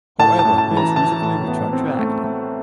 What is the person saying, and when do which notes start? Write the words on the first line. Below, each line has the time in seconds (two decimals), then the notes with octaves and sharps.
However, he has recently returned to acting.
0.20 A2 A5
0.39 A5
0.45 A2
0.58 A5
0.71 E3
0.77 A#5
0.96 E3 A5
1.22 A2
1.48 B3
1.73 C4
1.99 A3
2.24 A3